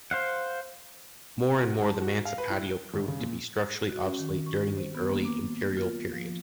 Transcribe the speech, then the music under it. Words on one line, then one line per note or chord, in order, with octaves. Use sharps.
More and more, the “mancipatio” proved to be structurally obsolete during the early imperial period.
C5 F5 F#5
F#4
A5
F#4
F5
B4
E4
G7
G1
C#3
A#2
F#4
C#4
D#3
C#6
C5
B3
A#3
D6
F4
F3